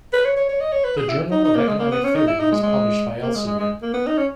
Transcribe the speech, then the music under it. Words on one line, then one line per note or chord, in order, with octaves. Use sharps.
The "Journal of Economic Theory" is published by Elsevier.
B4
C#5
C#5
C#5
D#5
C#5
B4
G#4
E4
D#4
D#4
A#3
G#3
A#3
B3
C#4
D#4
E4
D#4
G#3
G#3
A#3
G#3
G#3
G#3
A#3
B3
D#4
C#4